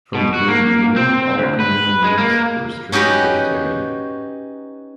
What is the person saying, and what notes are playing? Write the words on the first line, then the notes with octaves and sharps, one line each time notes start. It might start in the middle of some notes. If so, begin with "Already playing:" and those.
From the very beginning, all communal meals were strictly vegetarian.
B2
F#4
A#3
C4
D2
B4
G#3
A#3
C#4 D#4 F#4 G4 B4